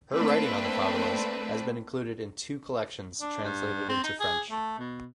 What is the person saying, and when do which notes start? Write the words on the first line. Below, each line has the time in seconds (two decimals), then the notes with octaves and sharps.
Her writing on the favelas has been included in two collections translated into French.
0.13 A3 A#3 C4 D4 B4
3.21 D4
3.44 G2
3.89 C4
4.04 D#4
4.20 G#4
4.51 A3
4.78 B2